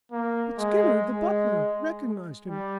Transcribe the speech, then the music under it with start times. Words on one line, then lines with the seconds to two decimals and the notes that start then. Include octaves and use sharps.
"But Skinner--the butler--recognised him?"
0.12 A#3
0.59 G#3
1.07 G#3
2.48 G3